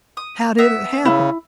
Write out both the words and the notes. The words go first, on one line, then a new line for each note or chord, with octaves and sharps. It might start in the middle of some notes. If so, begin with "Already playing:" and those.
"How did it happen?"
D#6
B3 E5
C#3 E4